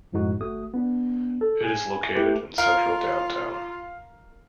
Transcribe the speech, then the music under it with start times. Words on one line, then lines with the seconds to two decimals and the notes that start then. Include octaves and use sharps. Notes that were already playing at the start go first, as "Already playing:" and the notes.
It is located in central Downtown.
0.12 F#2 A2 F3 G#3 D#4 F#4
0.40 G1 A3 F#4 D#6
0.74 B3 D4
1.41 A4
1.61 G#4 G#5
2.15 A3 E4 G4 A4 B4
2.58 F4 A#4 F5